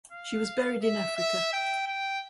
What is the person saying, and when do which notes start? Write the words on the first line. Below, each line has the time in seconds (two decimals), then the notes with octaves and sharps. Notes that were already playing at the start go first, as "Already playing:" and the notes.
She was buried in Africa.
0.12 F5
0.83 E5
1.17 E5
1.53 G5
1.88 G5